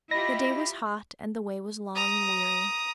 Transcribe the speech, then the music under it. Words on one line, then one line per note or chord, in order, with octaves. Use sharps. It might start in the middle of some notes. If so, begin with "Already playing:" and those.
The day was hot, and the way was long and weary.
E4 F4 G4 D#5 B5 A#6
A#5 D#6